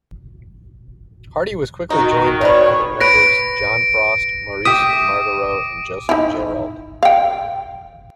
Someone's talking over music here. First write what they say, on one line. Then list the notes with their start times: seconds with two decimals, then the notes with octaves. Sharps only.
Hardy was quickly joined by founding members John Frost, Maurice Margarot and Joseph Gerrald.
1.90 D#3 D#4 F#4
2.41 C3 C#4 B4 C#5 D5
3.00 B4 C#5 A#6 D7
4.65 G4 E5 D6 D#6 D#7
6.09 D#4 E4
7.03 F5 G5